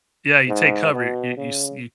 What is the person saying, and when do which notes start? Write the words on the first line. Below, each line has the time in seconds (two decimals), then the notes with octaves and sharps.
Yeah, you take cover. You you s y
0.48 G#2
0.93 B2
1.37 C#3